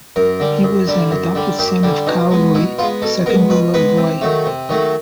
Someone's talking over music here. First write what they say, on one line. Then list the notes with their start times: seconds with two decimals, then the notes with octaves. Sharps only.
He was an adopted son of Cao Rui, the second ruler of Wei.
0.16 F#2 A#4
0.40 D3 G3
0.63 F#2
0.88 D3 G3
1.11 F#2
1.35 D3 G3
1.59 F#2 G4
1.83 D3 G3
2.07 B2 D#4
2.31 G#3 B3
2.55 B2 E4
2.78 G#3 B3 F4
3.02 B2 A4
3.26 B3 A#4
3.29 G#3
3.50 B2 B4
3.74 G#3 B3 B4
3.97 C3
4.21 D#3 F#3 A3
4.46 C3
4.69 D#3 F#3 A3